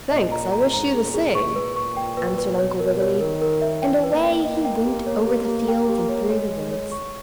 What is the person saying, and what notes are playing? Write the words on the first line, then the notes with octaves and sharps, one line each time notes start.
"Thanks, I wish you the same," answered Uncle Wiggily, and away he went over the fields and through the woods.
A#2 D#5
A#5
A#5
G#2 A#5
G#4
A#2
G#4
C#6
B4
C#6
G5
B4
B4
B2 C#5
A#4
C#5
D#3 A#4
A#4
E5
E3 G5
B4
A#3
G5
A#3 D#5
G5
G4
C#5
G4
G4
G5
G4
C#5
G#3 C#5
C#5
C#5
C#6